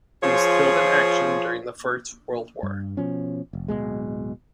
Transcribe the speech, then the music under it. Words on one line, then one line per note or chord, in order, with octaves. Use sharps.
He was killed in action during the First World War.
F3 F4 G#4 C5 C#5
G2
B2 F3 C#4
F1
D1 B1 B2 G#3